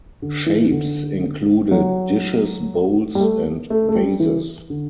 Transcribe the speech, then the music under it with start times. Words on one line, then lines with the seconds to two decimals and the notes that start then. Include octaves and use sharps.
Shapes included dishes, bowls, and vases.
0.22 D3
0.46 E3
0.71 D3
1.71 F#3
3.15 G3
3.20 A3
3.70 A3
3.89 A3
3.96 G3
4.20 E3
4.70 D3